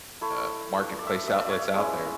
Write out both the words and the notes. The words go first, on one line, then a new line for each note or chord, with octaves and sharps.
uh, marketplace outlets out there
A3 E4
D5
E5
D5
E5
D5
C#5
E5
G#3 C#4 E4